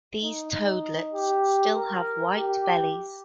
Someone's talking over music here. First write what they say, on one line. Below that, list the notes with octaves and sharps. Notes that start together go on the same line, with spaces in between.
These toadlets still have white bellies.
D#4
D#4
G4
A#4
G4